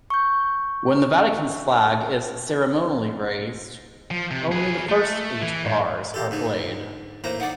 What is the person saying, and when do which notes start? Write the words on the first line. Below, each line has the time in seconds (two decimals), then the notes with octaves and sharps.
When the Vatican's flag is ceremonially raised, only the first eight bars are played.
0.10 C#6 G6
4.11 F3
4.31 C3
4.52 G#4 B4
4.89 A3
5.42 E3
5.65 G#2
6.14 A#3 G4 A4
6.31 G#2 D3 D#4
7.24 A2 A#3 C5 A#5
7.40 D#4 D5 F#5